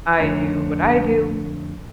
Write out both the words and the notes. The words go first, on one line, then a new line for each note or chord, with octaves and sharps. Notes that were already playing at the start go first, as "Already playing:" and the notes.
I do what I do.
F2 D3 A3 D4 C#5 A#5